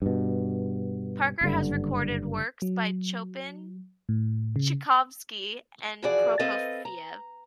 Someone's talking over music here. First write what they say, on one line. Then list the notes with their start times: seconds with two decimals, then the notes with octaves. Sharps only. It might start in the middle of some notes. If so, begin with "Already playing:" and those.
Parker has recorded works by Chopin, Tchaikovsky and Prokofiev.
0.02 G2 B2
1.41 F#1 G2 D3
2.62 F#3
4.09 A2
4.56 C#3
6.02 E3 F3 F#4 G#4 D5
6.39 C4 A4 B4 D#5 F5
6.85 A#5